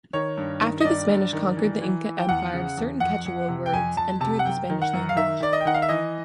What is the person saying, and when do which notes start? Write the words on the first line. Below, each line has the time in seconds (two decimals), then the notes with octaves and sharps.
After the Spanish conquered the Inca Empire certain Quechua words entered the Spanish language.
0.13 D#3 C#5
0.37 G2
0.61 D#3
0.81 D#5
0.84 G2 D5
1.09 G2
1.33 D#3
1.57 E3
1.82 E3
2.05 E3
2.19 G5
2.29 E2 F#5
2.53 C#3
2.77 E2
3.00 F2 F#5
3.26 F2
3.49 C3
3.66 G5
3.73 F2 G#5
3.96 F2 A5
4.20 C3 A5
4.39 F#5
4.45 F#2 G5
4.70 D#3
4.82 F#5
4.93 F#2
5.09 F5
5.16 D#3 E5
5.40 D#3 D5
5.53 D#5
5.60 G5
5.65 D#3 F#5
5.74 F5
5.82 E5
5.89 E3 D#5